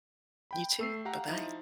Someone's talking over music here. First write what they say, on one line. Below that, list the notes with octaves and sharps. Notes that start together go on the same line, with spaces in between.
You too. Bye-bye.
G5 B5
A3 E6 C7
G4 F5 F#5 A#5
F3 D#4 E4